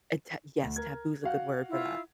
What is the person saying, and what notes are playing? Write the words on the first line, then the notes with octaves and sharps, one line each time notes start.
Eh, ta Yes, taboo's good word for that,
D2
A#4 G#6
F#4 F5 F#5
E4 F4